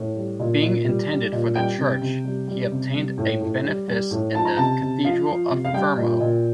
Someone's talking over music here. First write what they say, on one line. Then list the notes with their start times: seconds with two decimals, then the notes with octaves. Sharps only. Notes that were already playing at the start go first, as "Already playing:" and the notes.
Being intended for the Church, he obtained a benefice in the cathedral of Fermo.
Already playing: A2
0.16 G3
0.40 A#2
0.62 A#2
0.85 G3
1.09 G3
1.32 A#2
1.56 G3 G5
1.78 C3
2.01 C3
2.24 G3
2.48 G3
2.72 C3
2.94 G3
3.18 A2
3.41 A2
3.65 G3
3.88 G3
4.11 A2
4.35 F3 A5
4.45 A#5
4.57 C3 A5
4.81 C3
5.04 F3 F5
5.27 F3
5.50 C3
5.65 F5
5.73 G3 G5
5.97 A#2
6.21 A#2